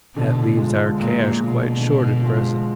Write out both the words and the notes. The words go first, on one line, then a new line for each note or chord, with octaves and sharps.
That leaves our cash quite short at present.
B2 D3
F3 G#3
A#2 D3
B2 F3 G#3
D3
F3
G#3